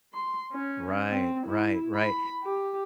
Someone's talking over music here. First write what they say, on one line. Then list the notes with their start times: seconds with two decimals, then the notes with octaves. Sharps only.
Right, right, right.
0.14 C6
0.53 C#4
1.09 C4
1.46 E4
1.95 B5
2.44 G4